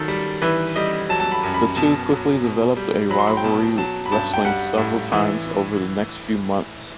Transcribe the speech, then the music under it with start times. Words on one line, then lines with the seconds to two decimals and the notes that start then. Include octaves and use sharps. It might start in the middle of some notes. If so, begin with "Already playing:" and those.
The two quickly developed a rivalry, wrestling several times over the next few months.
Already playing: D#3 F#3 A4
0.08 G3
0.42 E3 B4
0.76 G3 D#5
1.09 F#3 A5
1.20 A5
1.32 B5
1.43 F#2
1.54 B5
1.76 B2 A5
2.10 F#3
2.43 B2
2.77 G3
3.10 F#3 B5
3.19 C6
3.27 B5
3.37 G5
3.44 B2 A5
3.78 F#3 A5
4.06 B5
4.12 G2 A5
4.33 G5
4.45 G3 F#5
4.78 A2
5.12 E3